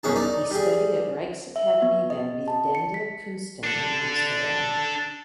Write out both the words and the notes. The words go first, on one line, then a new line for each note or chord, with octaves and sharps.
He studied at Rijksakademie van beeldende kunsten in Amsterdam.
F#2 B2 C#4 G#4 A5
D#4 D5
G3 G#4
E5
B3
D#5
A5
C#7
B6
D4 A4